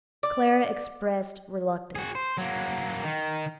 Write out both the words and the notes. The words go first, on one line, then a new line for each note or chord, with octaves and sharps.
Clara expressed reluctance.
D5
F#4 G#4
C5
F#3 A#3
D#3